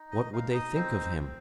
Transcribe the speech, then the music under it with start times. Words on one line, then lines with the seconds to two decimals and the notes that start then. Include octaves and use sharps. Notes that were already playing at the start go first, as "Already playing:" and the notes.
What would they think of him?
Already playing: D#4
0.11 D#5
0.33 D#4 F5
0.54 D#5
0.75 C4 C5
1.18 C4